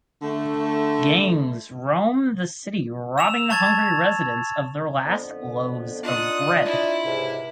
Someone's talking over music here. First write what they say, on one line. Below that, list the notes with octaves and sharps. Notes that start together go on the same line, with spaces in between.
Gangs roam the city robbing the hungry residents of their last loaves of bread.
D3 A3
E6 E7 F7
A5 C#6 G#6 A6
F2 D3 B3
D4 D#4 F4 F#5 D#6
E4
C#2 G#2 C3